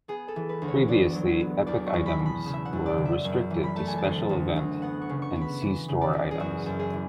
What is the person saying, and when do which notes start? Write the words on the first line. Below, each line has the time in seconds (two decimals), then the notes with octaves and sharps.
Previously, Epic items were restricted to special event and C-store items.
0.08 B3 G#4
0.28 A4
0.36 E3
0.49 B4
0.62 D2
0.68 C#5
0.88 B3 D5
1.15 F#3
1.41 B3
1.67 E2 D5
1.86 C#6
1.93 E2
2.06 B5
2.19 B2
2.26 B5
2.46 C#3
2.54 E5
2.65 F#5
2.73 F#2
2.86 D5
2.98 C#3
3.05 E5
3.24 F#2
3.50 E3
3.64 B5
3.76 A3 A5
3.87 G#5
3.98 A5
4.04 D2
4.29 D2
4.56 D2
4.82 B3 F#5
5.02 C#6
5.09 C#3
5.22 C#6
5.36 B3
5.41 B5
5.62 E3
5.88 C#3
6.01 D5
6.13 E2
6.31 G#4
6.40 F#2 F#4
6.66 F#2
6.79 G#4
6.93 E3